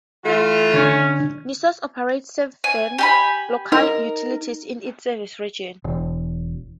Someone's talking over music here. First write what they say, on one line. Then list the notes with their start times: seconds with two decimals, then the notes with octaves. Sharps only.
NiSource operates seven local utilities in its service region.
0.25 E3 A3 F4
0.74 D3 C#4
2.64 G#5
2.99 G4 G#5 B5
3.72 D#4 A#4
5.84 E1